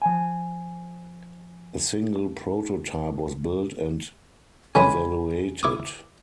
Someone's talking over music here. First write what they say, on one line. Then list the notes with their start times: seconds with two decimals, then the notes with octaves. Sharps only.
A single prototype was built and evaluated.
0.02 F3 G#5
4.75 C#3 E3 G#3 G#5 B5
5.63 E4 D6 D#6